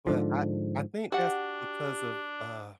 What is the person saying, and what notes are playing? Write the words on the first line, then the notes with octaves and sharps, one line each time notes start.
but I I think that's because of, uh,
G#2 D3 F3
D4 F#4 G4 F#5